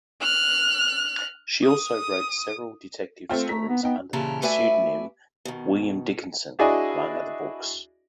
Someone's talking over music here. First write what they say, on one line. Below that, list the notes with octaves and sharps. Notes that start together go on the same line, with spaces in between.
She also wrote several detective stories under the pseudonym "William Dickinson", among other books.
F6 F#6
D#6
A3 C4 F4
A3 A#5 B6
B3
B3 D#4 G5
A#2 C#3 E3 G4 A#4 A5
A3 F#4 B4 D5 E5 G#5
B2 D#3
D4 E4 F#4 G#4 D5 D#5